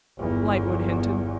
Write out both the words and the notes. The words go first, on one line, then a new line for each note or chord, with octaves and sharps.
Lightwood hinted.
G1 E2